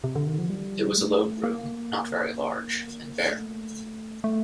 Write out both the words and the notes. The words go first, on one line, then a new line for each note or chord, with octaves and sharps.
It was a low room, not very large, and bare.
C3
D3
D#3
F3
G3
A3
A#3
A3
A3